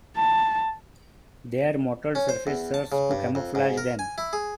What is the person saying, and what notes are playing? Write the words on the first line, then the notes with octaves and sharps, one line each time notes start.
Their mottled surface serves to camouflage them.
A5
C#4
C5
E2
A5
C#3
G2
F2
G#2
A#4
G#5
E4
G#4